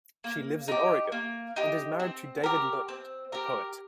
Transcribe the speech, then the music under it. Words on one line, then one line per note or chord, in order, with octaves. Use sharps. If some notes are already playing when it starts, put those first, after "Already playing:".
She lives in Oregon and is married to David Lunde, a poet.
A#3
D#4 G4
A#3
D#4 G4
C4
G4 A#4
C4
G4 A#4